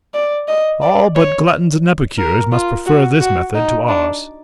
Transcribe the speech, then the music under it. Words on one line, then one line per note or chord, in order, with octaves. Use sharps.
All but gluttons and epicures must prefer this method to ours.
D5
D#5
D5
C#5
A#4
F4
F#4
F#4
D#4
D4